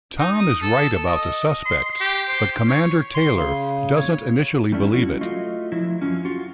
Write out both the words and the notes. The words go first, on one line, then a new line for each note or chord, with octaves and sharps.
Tom is right about the suspects, but Commander Taylor doesn't initially believe it.
D#4
D#6
A4
D#5
C6
G4
C5
C#5
C6
C#3
C#5
G3 A3 C#4 D4 E4
F#3 C#4 E4 F#4
A3 F4 F#4 D#5
F3 F#3 E4
F#2 D#3 F3 C#4
F4 F#4